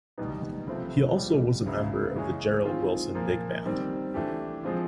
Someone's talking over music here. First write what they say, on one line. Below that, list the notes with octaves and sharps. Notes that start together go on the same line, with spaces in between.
He also was a member of the Gerald Wilson big band.
C2 B2 G3 B3 D#4
C#2 C3 F3 A3 C4
C#2 B2 G3
C#2 C#3 F#3 B3 E4
C#3 E3 G#3 C#4
D#3 G#3 C4 F4
A#2 F3 A#3
D#3 G3 C4
E3 A3 D4 G4
F3 G#3 C4 F4